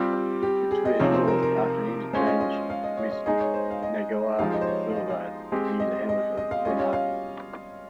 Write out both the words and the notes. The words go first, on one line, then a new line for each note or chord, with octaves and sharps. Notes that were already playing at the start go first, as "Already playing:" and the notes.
It swerves north after an interchange with Neyagawa Boulevard, near the hamlet of Glenarchy.
Already playing: G3 C4 F4 G4
G4
G#4
D#5
C3 F3 C4 D#4 G#4 C#5
C5
A#4
A#4
G#3 C#4 F4 C5
D#5
D#5
F5
D#5
C#5
D#5
G#3 D#4 G#4 D#5
C#5
C5
F5
D#5
F3 G#3 D#4 G4 F5
D#5
C5
C#5
F5
D#5
F5
G#3 C4 G4
D#5
D#5
D#5
F5
G3 C#4 F4 D#5
C#5
F5